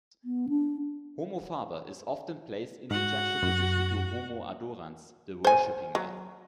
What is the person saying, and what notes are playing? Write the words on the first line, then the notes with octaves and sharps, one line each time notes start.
"Homo faber" is often placed in juxtaposition to "homo adorans", the worshiping man.
B3
D4
G#2 F#4 F#5
F#2
C5 G#5
F#3